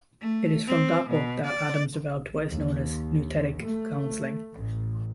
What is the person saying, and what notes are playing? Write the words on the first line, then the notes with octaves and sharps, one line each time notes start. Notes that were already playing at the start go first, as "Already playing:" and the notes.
It is from that book that Adams developed what is known as nouthetic counseling.
A3
C4
B2
D5
D#2
A3
A1